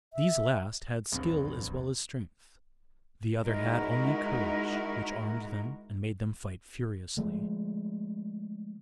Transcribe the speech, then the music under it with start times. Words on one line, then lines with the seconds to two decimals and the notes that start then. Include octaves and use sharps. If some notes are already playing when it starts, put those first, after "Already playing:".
These last had skill as well as strength; the other had only courage, which armed them, and made them fight furiously.
0.13 E5
1.12 D1 A#1 E2 G2 C4
3.45 G#3 D#4 E4 F#4 A#4
7.17 D3 F3 G#3 A3